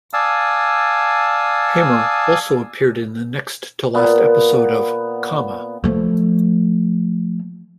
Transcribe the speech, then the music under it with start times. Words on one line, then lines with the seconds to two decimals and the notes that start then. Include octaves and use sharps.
Haymer also appeared in the next-to-last episode of "", "".
0.13 D5 F5 G#5 A5 D#6 E6
3.95 A#2 B3
5.84 F3 A3